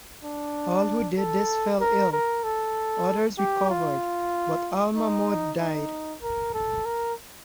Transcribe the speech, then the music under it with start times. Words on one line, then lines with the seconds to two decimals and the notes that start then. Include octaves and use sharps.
All who did this fell ill. Others recovered, but Al-Ma'mun died.
0.24 D4
1.17 A4
1.80 A#4
2.12 A#4
2.43 A4
3.38 G4
3.70 F4
4.96 D#4
5.59 D#4
6.22 A#4
6.54 A4
6.85 A#4